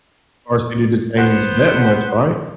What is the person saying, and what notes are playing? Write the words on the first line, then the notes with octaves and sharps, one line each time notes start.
our city to change that much, right?
B3 C5 F#5